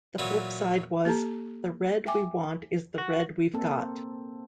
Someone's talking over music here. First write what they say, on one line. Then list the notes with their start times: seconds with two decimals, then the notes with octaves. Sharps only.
The flip side was "The Red We Want Is the Red We've Got".
0.18 A#2 E3 F#3
1.05 A#3 G4 A4 A5 A#5
2.06 E5 G5 G#5 D6
2.98 F#4
3.54 A#3 C4 A4